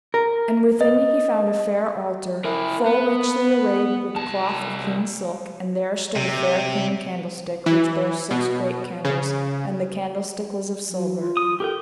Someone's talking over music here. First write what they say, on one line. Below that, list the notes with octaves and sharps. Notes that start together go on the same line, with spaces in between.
And within he found a fair altar, full richly arrayed with cloth of clean silk, and there stood a fair clean candlestick, which bare six great candles, and the candlestick was of silver.
A#4
D#5
E4 A#4
B3
C2 A5
C3
E3
B2
C#3
F#3
F4
D#6
G4 A4 A#4 G5